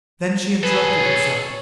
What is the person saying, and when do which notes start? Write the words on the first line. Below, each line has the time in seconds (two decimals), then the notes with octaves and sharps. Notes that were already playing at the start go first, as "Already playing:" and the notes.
Then she interrupted herself.
0.63 G#4 A4 B4
1.05 C#5